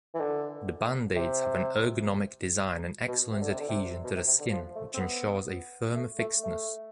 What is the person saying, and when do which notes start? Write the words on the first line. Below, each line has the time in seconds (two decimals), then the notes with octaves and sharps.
The band-aids have an ergonomic design and excellent adhesion to the skin, which ensures a firm fixedness.
0.14 E3
0.20 D3
1.16 C3
3.08 B2
3.32 C3
3.41 D3
3.50 C3
3.59 D3
3.69 C3
4.04 B2
4.16 C3
4.27 C3
4.39 D3
4.52 F3
4.76 A3
4.94 C4
5.00 B3
5.96 A3
6.19 A3
6.44 A3